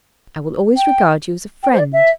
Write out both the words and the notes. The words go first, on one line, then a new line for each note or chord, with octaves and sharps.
"I will always regard you as a friend."
G5
G5
C5
D5
E5